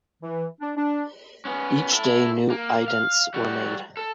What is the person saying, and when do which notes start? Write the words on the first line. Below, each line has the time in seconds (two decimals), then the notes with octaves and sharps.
Each day new idents were made.
0.22 E3
0.61 D4
0.77 D4
1.45 B3 C#4
1.92 E4 A4
2.50 A#3
2.88 F5
3.34 G3 F#4
3.97 A4